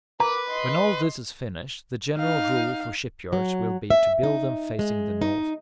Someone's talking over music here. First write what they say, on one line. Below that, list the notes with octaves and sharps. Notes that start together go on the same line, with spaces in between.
When all this is finished, the general rule for shipyards will be to build them facing the north.
A#4 B4 A#5 D6
D#5 C6
D#4 F5
F#3
E5
D#4
G#3
D#4